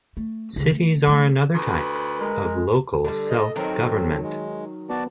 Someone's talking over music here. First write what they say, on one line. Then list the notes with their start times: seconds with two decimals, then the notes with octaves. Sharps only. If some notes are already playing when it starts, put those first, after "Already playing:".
Cities are another type of local self-government.
0.17 A3
0.53 F#1 C#2
0.70 A3
1.07 D#3 A3
1.54 D2 B4
2.19 G#3 A#4
3.04 D3 G3 A4
3.30 D#5
3.56 D#3 F#3 C4
4.23 G#3
4.90 B3 F#4 D5 A5